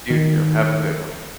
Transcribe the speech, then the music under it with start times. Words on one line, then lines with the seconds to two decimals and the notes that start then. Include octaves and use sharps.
You too, have a good one.
0.10 D#3